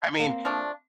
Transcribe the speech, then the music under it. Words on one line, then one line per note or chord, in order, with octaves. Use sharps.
I mean,
A#3 C4
F3 A3 D4